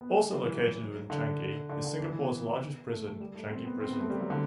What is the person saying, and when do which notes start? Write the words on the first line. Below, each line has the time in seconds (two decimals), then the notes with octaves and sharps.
Also located within Changi is Singapore's largest prison, Changi Prison.
0.01 B3
0.10 A3
0.19 G3
0.34 F#3
0.44 E3
0.54 F#3
1.10 D3
1.70 D3
1.85 D3
2.00 E3
2.10 E3
2.19 B3
2.90 A3
3.05 A3
3.20 G3
3.35 A3
3.50 C4
3.65 B3
3.80 C4
3.91 B3
4.00 A3
4.10 G3
4.21 F#3
4.30 D3